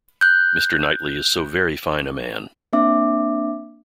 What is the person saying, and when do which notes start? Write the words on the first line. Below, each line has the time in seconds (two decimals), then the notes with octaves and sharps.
Mr Knightley is so very fine a man!
0.21 F#6 G6
2.73 A#3 C4 D4 E5 D6